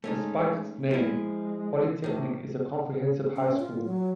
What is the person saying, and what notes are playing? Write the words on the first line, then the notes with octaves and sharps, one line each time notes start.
Despite its name, Polytechnic is a comprehensive high school.
G#3 A3 C#4 D#4
F3 G#3 E4
A2 C3 D#3
C#4
F4
F#3